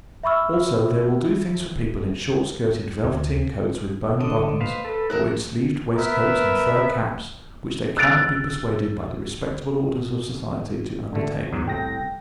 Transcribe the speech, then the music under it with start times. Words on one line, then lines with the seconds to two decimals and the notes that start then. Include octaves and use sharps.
Also, they will do things for people in short-skirted velveteen coats with bone buttons, or in sleeved waistcoats and fur caps, which they cannot be persuaded by the respectable orders of society to undertake.
0.23 E5 B5 C#6 E6 F6
3.04 D2
4.20 D3 D4 D#5
4.61 B4 C5 F5
4.85 A4 B4
5.10 D2 A#4 E5 F#6
5.96 B3 A#4 B4 E5
7.97 E6 F#6 A6 D7 F7
11.12 D3 A3
11.53 E2 G#2 F#3
11.68 C2 A2 G5 A#6